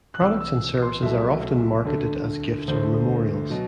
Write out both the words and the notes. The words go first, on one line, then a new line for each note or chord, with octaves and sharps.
Products and services are often marketed as gifts or memorials.
F#6
C2 C3 E3 E6
E6
C6
C2 B2 F#3 A3 E5
D2 D3 A3
D2 D3 A3 C5
B2 F#3